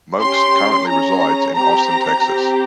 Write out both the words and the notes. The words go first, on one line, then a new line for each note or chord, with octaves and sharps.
Moakes currently resides in Austin, Texas.
C#4 G4 C6
C#4 G#4 A#5
C4 G4 A#5
C4 G4